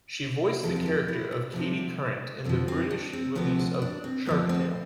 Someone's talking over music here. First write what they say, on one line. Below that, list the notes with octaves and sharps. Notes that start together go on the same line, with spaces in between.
She voiced the character of Katie Current in the British release of "Shark Tale".
E2 C3 F3 A4
F4
G4
E4
D4
D2 C3 F3
F2 D3 F3 C4
C4
D4
C4
D2 C3 F3 B3
D4
D4
C4
D2 D3 F3 B3
C4